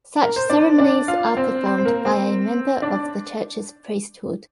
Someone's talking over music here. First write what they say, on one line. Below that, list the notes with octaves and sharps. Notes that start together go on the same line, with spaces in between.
Such ceremonies are performed by a member of the church's priesthood.
A#4
C5
D4 D5
D4 D5
F4 F5
C4 C5
C4 C5
C5
A#3 A#4
C4 C5
D4 D5